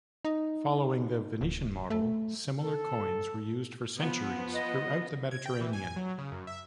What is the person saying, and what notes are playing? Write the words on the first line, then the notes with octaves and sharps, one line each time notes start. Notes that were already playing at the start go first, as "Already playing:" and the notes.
Following the Venetian model, similar coins were used for centuries throughout the Mediterranean.
D#4
D1
A3
A4
F3 B3
D#5
G#6
G5
E3
G#5
F#3
C#3
F#2
E5